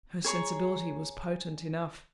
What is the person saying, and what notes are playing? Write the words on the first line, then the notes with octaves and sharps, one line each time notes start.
Her sensibility was potent enough!
G#4 C#5 A#5 C#6